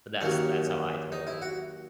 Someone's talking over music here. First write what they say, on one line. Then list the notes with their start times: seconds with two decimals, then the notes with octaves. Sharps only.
but that's that's how I feel.
0.21 D#2 D#3 F#3 C#4
1.12 D#4
1.27 E4
1.42 F#4